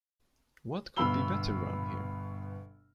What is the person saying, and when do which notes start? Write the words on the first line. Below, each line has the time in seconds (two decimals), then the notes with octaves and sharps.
What could be better round here?
0.96 G1 B2 F5 B5 E6 G7